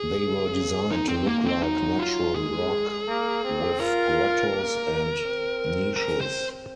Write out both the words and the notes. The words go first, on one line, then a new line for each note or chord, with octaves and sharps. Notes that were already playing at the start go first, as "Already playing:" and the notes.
They were designed to look like natural rock, with grottos and niches.
Already playing: G#4
C#3
D#3 D#4
C4
A#3
C4
F#3 D#4
F4
G#3 G#4
A#3
C4
F4 A#4
A#3
C4
A#4
C5